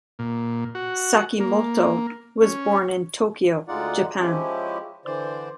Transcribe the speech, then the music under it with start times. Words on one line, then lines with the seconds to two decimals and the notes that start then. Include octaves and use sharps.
Sakimoto was born in Tokyo, Japan.
0.19 A#2
0.75 F#4
1.40 A#3
2.42 C#4
3.68 D2 G#3 D#4 F4 D5 F#5
4.20 F3 G#3 C#4 E4 G4
5.05 D3 E3 C5 D5